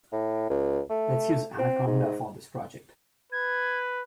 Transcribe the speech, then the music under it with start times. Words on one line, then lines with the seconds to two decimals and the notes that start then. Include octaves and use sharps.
Let's use Anaconda for this project.
0.12 A2
0.50 C#2
0.90 A3
1.59 C4
1.87 G#2
3.32 B4 G#6